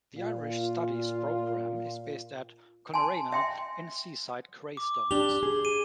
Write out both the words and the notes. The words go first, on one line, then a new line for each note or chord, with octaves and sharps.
The Irish Studies Program is based at Coolnagreina in seaside Greystones.
A#2 F4
G#5 A5 C6
E5 G5 C6
D6
D4 G4 F7 G7
G#4
D#7